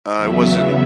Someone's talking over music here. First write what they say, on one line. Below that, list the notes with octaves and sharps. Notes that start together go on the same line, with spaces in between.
I wasn't
E2 C#3 F#3 B3 E5